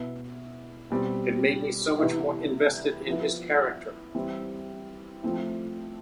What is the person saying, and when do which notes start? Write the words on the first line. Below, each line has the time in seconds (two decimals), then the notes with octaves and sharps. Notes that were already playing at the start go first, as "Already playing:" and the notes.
It made me so much more invested in his character.
Already playing: B2 B3 E4
0.90 B2 G3 C4
1.98 C3 E3 B3 E4
3.07 F3 B3 E4
4.15 E3 G3 C4 E4
5.23 F3 A3 C4 E4